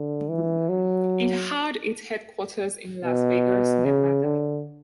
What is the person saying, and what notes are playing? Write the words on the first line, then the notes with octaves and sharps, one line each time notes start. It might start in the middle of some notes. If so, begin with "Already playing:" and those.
It had its headquarters in Las Vegas, Nevada.
Already playing: D3
E3
F#3
B2
C#3
D3